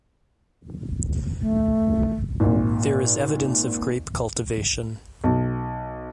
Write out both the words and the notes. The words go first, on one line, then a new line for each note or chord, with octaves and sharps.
There is evidence of grape cultivation.
A3
G#1 A#2
B1